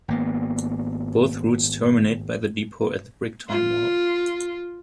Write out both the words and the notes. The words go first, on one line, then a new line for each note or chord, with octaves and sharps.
Both routes terminate by the depot at the Bricktown Mall.
G#1 A#3 B3
F4